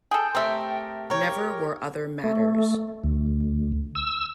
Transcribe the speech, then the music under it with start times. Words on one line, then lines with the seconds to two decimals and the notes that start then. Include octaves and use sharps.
Never were other matters.
0.11 G#4 A4 G5
0.35 A3 C4 G4 A#4 E5
1.10 G4 A#4 C#5
2.24 A3
3.04 D2
3.95 E6